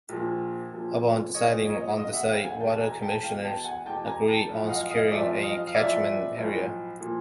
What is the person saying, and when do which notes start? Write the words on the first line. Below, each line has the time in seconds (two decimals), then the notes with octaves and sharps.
Upon deciding on the site, water commissioners agreed on securing a catchment area.
0.09 A#1 A#2 F3
0.72 A#1 A#2 F3
1.34 A#1 A#2 F3 C#5 D#5
1.66 C#5 D#5
1.97 E2 B2 D#5 F5
2.13 E5 F#5
2.29 F5 G5
2.45 F#5 G#5
2.60 E2 B2 G5 A5
2.81 G#5 A#5
3.02 G5 A5
3.22 E2 B2 F5 G5
3.44 G5 A5
3.64 F#5 G#5
3.86 E2 B2 G5 A5
4.06 G#5 A#5
4.28 G5 A5
4.49 B1 A2 F3
4.66 F#5
4.69 D#5 F5
4.90 D#5 F5
5.11 B1 A2 F3 D5 E5
5.43 D#5 F5
5.67 F5
5.74 B1 A2 F3 D5 E5
6.37 B1 A2 F3
7.01 A#2 F3